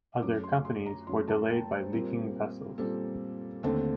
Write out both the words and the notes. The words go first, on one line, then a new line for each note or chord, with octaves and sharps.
Other companies were delayed by leaking vessels.
F#2 F#3 A3 D6
C6
C6
A#5
F#2 F#3 A3 C6
A5
G5
C5
A#2 G3 C4 A#4
A#2 G3 C4 A4
D#2 D3 A3 C4 A4